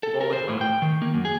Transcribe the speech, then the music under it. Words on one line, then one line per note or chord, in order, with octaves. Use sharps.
people all the time.
A4
A#4
C5
A2
G5
D#3
A#3
F#2
G#4